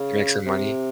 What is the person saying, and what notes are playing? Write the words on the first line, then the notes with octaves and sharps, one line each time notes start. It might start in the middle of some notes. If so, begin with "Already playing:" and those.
Make some money?
Already playing: C#3
C3